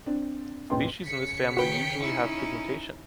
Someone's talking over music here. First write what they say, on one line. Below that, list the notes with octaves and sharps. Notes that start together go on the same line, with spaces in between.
Species in this family usually have pigmentation.
C4 D4
E1 A1 A#2 B3 G5 C6
C#3 B6 C#7
D#3 F#4 B4 G5
C#4 D#4 E4